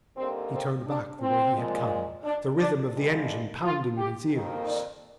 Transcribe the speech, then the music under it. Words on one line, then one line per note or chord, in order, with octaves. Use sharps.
He turned back the way he had come, the rhythm of the engine pounding in his ears.
D#2 D3 G3 A#3 C4
C4
D4
C4
A#2 F3 G#3
D4
D4
G2 D3 G#3
F4
G4
F2 D#3 A#3
D5